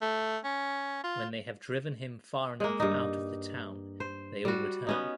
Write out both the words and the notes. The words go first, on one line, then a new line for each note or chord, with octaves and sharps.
When they have driven him far enough out of the town, they all return.
A3
C#4
F4
G#3 A#3
G2 D#4
C5
G3 F#4
B3 C#4 D#4